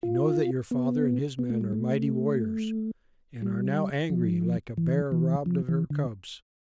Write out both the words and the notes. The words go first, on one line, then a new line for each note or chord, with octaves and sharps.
You know that your father and his men are mighty warriors and are now angry, like a bear robbed of her cubs.
F4
B3
B3
A3
G3
A3
G3
F3
E3
E3
F3
E3
D3